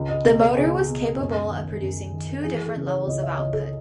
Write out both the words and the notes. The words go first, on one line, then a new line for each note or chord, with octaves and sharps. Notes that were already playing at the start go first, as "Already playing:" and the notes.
The motor was capable of producing two different levels of output.
Already playing: C#2
D#5
B2
A4
C#2 G#4
B2
F#2
D#3
F#2
D#3
E3 G#4
G#4
A4
C#3
C#5
C#2 D#5
E5
C#2 D#5
A4